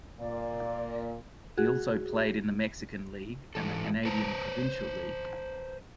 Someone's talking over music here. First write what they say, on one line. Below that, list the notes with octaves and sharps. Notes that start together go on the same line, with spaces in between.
He also played in the Mexican League, and the Canadian Provincial League.
A#2 A#3 D5
F#4 G#4
G#2 E3 A4
B4 C5 A5 A#5